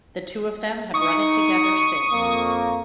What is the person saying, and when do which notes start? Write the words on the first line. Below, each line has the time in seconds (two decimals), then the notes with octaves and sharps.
The two of them have run it together since.
0.94 D#4 C#6 D#6
2.12 F2 A#3